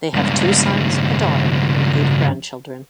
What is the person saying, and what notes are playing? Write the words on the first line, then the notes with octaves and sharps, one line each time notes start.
They have two sons, a daughter, and eight grandchildren.
C#2 G2